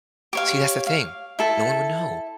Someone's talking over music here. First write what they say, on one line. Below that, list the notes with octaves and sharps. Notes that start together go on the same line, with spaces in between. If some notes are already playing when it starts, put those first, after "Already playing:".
See, that's the thing. No one would know.
G4 C#5 F5
F5
E4 A4 A5